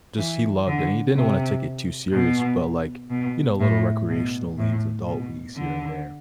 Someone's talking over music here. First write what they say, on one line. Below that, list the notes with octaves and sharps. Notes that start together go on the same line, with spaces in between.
just he loved it, and he didn't wanna take it too serious, but, like, you know, little recreational leagues, adult leagues here and there.
E3
D3
C3
B2
B2
A2
B2
A2
B2
D3